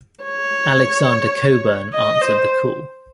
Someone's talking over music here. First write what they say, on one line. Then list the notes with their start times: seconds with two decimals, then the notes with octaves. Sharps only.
Alexander Cockburn answered the call.
0.24 C#5
1.93 D#5
2.21 C5